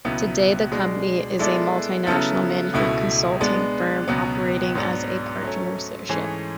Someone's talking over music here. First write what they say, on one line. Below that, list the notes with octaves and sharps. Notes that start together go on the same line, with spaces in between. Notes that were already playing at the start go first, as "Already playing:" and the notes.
Today the company is a multi-national management consulting firm operating as a partnership.
C#2 B2 F#3 B3 E4
B2 G#3 D4
G#3 B3 E4 A4 D5
C#3 F#3 B3 E4 A4
C#2 B2 A3 E4
G#3 B3 D4
C#2 B2 F#3 B3
G#2 F#3 B3 D4
F#3 A3 C#4
G#2 E3 A3 C#4 G#4